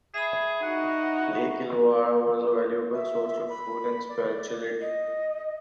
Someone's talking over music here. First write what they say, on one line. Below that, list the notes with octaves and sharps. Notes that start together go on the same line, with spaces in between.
Lake Illawarra was a valuable source of food and spirituality.
G#4 E5 B5
D#4 F#4 F#5
E5
B5
D5
D#5